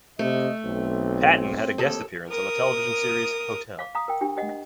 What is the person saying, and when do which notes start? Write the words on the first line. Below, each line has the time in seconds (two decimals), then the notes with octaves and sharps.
Patton had a guest appearance on the television series "Hotel".
0.19 C3 A3 D#5
0.64 B1 C4
1.78 D#2 A4
2.28 A#4 D#6
3.79 F5 D6
3.95 F5 A#5 D#6
4.08 A#4 G5
4.21 D4 G4
4.37 G4 D#5 F#5
4.49 D#5